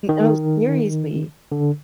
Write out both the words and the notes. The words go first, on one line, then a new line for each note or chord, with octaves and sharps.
No, seriously.
D#3
D3